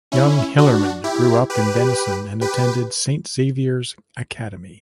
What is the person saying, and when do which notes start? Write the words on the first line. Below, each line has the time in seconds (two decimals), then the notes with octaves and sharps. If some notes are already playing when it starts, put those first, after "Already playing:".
Young Hillerman grew up in Denison and attended Saint Xavier's Academy.
0.12 C#4 E4
0.58 D4 F#4
1.04 E4 G4
1.50 G4 B4
2.41 G4 B4